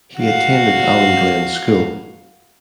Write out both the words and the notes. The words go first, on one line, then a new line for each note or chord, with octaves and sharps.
He attended Allan Glen's School.
F#4 F5